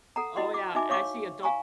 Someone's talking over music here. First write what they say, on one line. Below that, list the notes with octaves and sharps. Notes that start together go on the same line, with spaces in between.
o oh, yeah. I see adult
A4 F#5 A#5
E4 F#4 D#5 F#5 C6
D6
D#4 F#4 E5 G#5 D6
C#5 F5 C#6 D6
F5 G#5 A#5 C#6